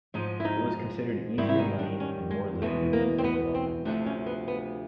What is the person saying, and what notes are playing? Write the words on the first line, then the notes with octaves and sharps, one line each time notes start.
It was considered easier money and more lucrative than bank robberies.
G#2 F3 G#3 D#4
E4
D#4
G#2 D#3 G3 E4
E4
D#4
D4
C#4
G#3
E2 B2 G#3 A3
A#3
C4
B3
C4
D2 C3 F3 D4
C#4
B3
B3